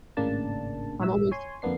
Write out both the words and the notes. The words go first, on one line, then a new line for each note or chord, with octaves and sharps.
I'm almost
G#1 A2 C#3 A#3 D4 A5
A#1 G#2 E5 E6
C#5 G#5 C6
F2 D3 A#3 B3 D4 C7